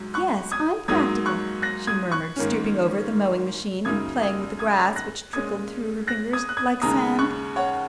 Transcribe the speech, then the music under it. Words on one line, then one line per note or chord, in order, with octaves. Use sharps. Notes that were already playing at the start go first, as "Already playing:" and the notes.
"Yes, I'm practical," she murmured, stooping over the mowing-machine and playing with the grass which trickled through her fingers like sand.
Already playing: G#2 F#3
C#6 F#6
D#6 G#6
G#2 F#3 A#3 D#4 D#6 G#6
C#6 F#6
F#6 A#6
D#6 G#6
C#6 F#6
G#2 D#3 A#3 C#4
F#2 C#3 A#3 D#4 D#6 G#6
D#6 G#6
D#6 G#6
F#6 A#6
A#2 G#3 C#4 D#6 G#6
F#6 A#6
D#6 G#6
F#6
D#6 G#6
D#2 C#3 G#3 D#4 A#5 D#6
C#6 F#6
C#5 F#5